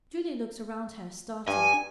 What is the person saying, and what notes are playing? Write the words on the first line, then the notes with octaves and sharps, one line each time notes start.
Julie looked round her, startled.
G2 G#5